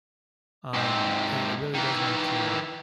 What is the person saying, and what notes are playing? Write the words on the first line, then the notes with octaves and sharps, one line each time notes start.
um, it it really does make you
G#2 C3
D#3 E3